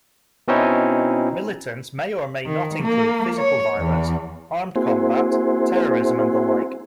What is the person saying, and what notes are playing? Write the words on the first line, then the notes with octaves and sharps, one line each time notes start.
Militance may or may not include physical violence, armed combat, terrorism, and the like.
B2 C4 C#4 D#4 E4
D#3
A#3
C#5
E2
A#3 C4 E4 F#4 G#4 C5